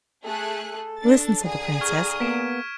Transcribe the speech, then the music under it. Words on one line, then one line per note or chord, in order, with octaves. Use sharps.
'Listen!' said the Princess.
A3 G#4 A4 F#6
D4 A6
D3 G#4 A#5 D#6
C#6 F6 G#6
A#3 B3 B6 D7 E7